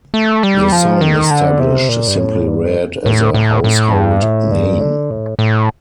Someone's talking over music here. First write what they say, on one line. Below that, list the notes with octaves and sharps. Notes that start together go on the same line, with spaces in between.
The song established Simply Red as a household name.
A3
G3
F3
D#3
D3
C3
A#2
G2
A2
G2
A2
A2
A2
G2
A2
G2
D3
A2
A2